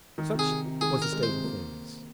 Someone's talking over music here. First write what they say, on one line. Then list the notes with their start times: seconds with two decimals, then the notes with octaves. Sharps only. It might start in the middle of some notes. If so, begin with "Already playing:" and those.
Such was the state of things.
0.18 D#3
0.34 C3
0.39 G#4
0.50 C3
0.66 C3
0.81 D#3 G#4
0.97 C3 A#4
1.12 G#3
1.23 C5
1.28 C3
1.44 A#3